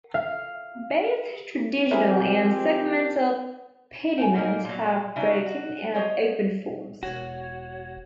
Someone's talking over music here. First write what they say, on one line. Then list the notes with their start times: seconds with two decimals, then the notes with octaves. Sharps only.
Both traditional and segmental pediments have "broken" and "open" forms.
0.14 F5
1.91 F3 C4 E4 G4 G#4 A#4 E5 G#5
4.17 G5 G#5
4.34 A#2 A#3 D#4 G#4
4.65 A#2 F#3
5.16 C#3 D4 D#4 F#4 E5
5.46 F#4
5.95 C5 C#5 D#5
7.03 E1 F#4 C#5